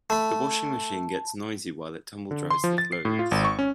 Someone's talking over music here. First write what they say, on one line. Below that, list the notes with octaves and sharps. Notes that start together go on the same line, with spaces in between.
The washing machine gets noisy while it tumble dries the clothes.
A3 A5 B5
D3
C6
F3
A6
C7
A2
F4
G#1
C#6
C#4